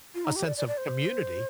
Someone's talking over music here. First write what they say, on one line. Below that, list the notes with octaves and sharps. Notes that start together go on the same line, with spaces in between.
a sense of community,
F4
D#4
G4
D5
D5
D5
C5